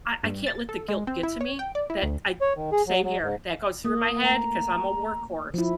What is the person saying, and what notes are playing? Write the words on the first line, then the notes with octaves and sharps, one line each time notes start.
I I can't let the guilt get to me, that I Same here, that goes through my head 'cause I'm a workhorse,
G2
A6
A4
G#3
C4
E4
C#5
G5
D5
E4
D2
C#5
D#3
G#4
F#3
F#3
G#2
A#3 D#6
A3 A#5
F3 E4